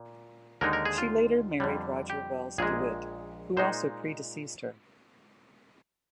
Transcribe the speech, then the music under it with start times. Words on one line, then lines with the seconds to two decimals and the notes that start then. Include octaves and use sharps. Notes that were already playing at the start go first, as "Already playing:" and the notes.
She later married Roger Wells DeWitt, who also predeceased her.
Already playing: A#2
0.61 D#2 D3 G#3 D#4 A#4
0.73 A#4
0.85 G#4
0.98 F4
1.60 F2 D3 G3
2.10 G4
2.58 A#1 A#2 G#3 G#4
3.57 A#2 G#3 D#4 C5